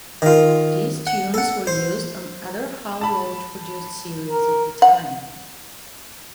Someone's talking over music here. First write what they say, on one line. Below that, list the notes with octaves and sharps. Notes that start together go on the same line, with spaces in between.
These tunes were used on other Hal Roach produced series at the time.
D#3 F4
F#5
A4 F#5
C5
A5 B5
A#4
F#5